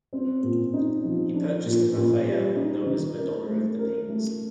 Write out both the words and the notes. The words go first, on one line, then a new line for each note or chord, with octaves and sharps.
He purchased a Raphael, known as "Madonna of the Pinks".
C4
A#2
D#4
F3
D4
A#2
A#2
G3
D#4
D#3
A#4
A3
A#4
A3